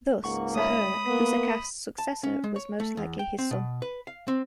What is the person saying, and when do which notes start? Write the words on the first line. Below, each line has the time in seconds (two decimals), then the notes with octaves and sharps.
Thus, Sahure, Userkaf's successor was most likely his son.
0.24 C#2 G#2 A#3 F#5 C#6
0.56 G#3 C#5 E5 B5 D#6
1.06 A#3 B3 B6
1.98 A5
2.23 C#4
2.44 G#3
2.56 C#5
2.80 A3
2.97 E2
3.19 G5
3.38 C4
3.51 B2
3.82 B4
4.07 F5
4.28 C4